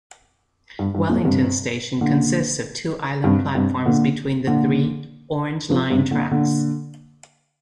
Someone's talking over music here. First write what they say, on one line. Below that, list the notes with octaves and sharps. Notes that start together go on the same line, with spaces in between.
Wellington station consists of two island platforms between the three Orange Line tracks.
G2
G2
F2 A#2
G2 C3
A#2 D3
G2 C3
G2 C3
A#2 D3
A#2 D3
C3 F3
G2 C3
A#2 D3
A#2 D3